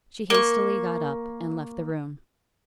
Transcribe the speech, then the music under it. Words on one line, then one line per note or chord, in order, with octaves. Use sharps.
She hastily got up and left the room.
A#3 C#6